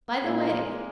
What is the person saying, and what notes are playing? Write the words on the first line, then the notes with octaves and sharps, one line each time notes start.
"By the way!"
A#2 G#3
A#3
G#3